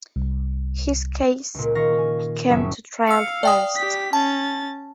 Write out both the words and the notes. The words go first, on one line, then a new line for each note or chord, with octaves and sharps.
His case came to trial first.
C2
C#2 A#2
D#3 F5 C#6 A#6
G#5
F#1 F#3 C#4 F#4 G#4 E5
F5 E6 C#7
D5 G5 D#6
G4 B6
C#4 A5 A6